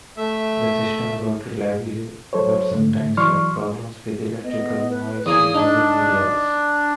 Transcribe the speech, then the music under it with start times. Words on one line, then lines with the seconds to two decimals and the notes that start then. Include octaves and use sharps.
The system worked reliably but sometimes had problems with electrical noise in urban areas.
0.17 A3 E5
2.33 F#3 A4 C5 C#5
2.71 G#2 D3 A3
3.17 E3 F#3 D5 C6 C#6 F6
4.44 B3 D#5
4.90 B4
5.26 E2 A#3 G#5 D#6
5.55 D4 D#4